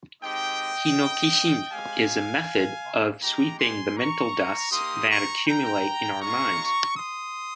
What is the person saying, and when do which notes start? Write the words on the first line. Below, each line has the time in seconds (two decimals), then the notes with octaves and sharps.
Hinokishin is a method of "sweeping" the "mental dusts" that accumulate in our minds.
0.22 G#3 C4 D#4 G4 D#5 G5
1.72 G#3 C4 G4 F5 G#5
3.21 G#3 D#4 G4 G5 A#5
3.59 G#5 C6
3.96 A#5 C#6
4.71 A#3 D#4 G4 C6 D#6
5.08 A#5 C#6
5.46 G5 A#5
6.20 G#3 C#4 F4 A#5 C#6
6.96 C6 D#6